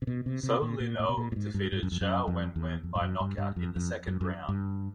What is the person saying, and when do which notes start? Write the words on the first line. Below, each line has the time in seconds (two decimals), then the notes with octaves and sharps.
Soe Lin Oo defeated Zhao Wen Wen by knockout in the second round.
0.02 C3
0.07 B2
0.26 C3
0.43 C3
0.62 A#2
0.80 A#2
1.00 A2
1.09 B2
1.17 A#2
1.32 A2
1.36 G#2
1.54 G2
1.72 G2
1.83 F#2
1.92 F2
2.01 F#2
2.27 F2
2.56 E2
2.83 F2
2.96 G2
3.01 F#2
3.20 G2
3.38 G2
3.56 F2
3.76 F2
4.07 F#2
4.21 F#2
4.49 G2